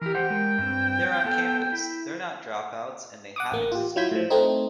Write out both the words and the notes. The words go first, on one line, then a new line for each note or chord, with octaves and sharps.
They're on campus, they're not dropouts and they haven't disappeared.
E3 G4 A#4
G4 C5 F#5 G5
G#3 A#4
G2 C4
B3 A4
E4
F#5 D6 D#6
A1 A#3
F4 G4
F#3 E4 F4 G6 G#6 B6
A2 F3
A3 C4 D#4